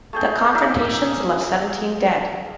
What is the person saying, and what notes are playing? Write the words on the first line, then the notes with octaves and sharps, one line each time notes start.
The confrontations left seventeen dead.
A3 G#4 G5
A#3 D#4 E5